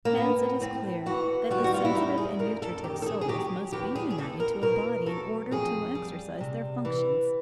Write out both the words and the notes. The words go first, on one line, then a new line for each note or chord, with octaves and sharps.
Hence it is clear that the sensitive and nutritive souls must be united to a body in order to exercise their functions.
A#3
A2 B3
A2 C4
E3 F#4
G3 F#4
F#4
F4
E4
F#2 D#4
G#4
F#2 A#4
A4
D#3 G4
A4
G#4
G#4
F#3 G4
E2 G4
G#4
G#4
E2 A4
A#4
B2 A#4
F#3 A4
F2 G#4
G3
C3
E3